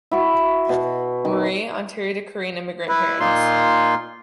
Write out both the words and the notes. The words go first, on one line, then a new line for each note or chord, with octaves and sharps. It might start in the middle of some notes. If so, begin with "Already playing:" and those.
Marie, Ontario to Korean immigrant parents.
E4 F#4 C#6
B2
D#3
E4 B4
A#2 A#3 D#4 F4 C6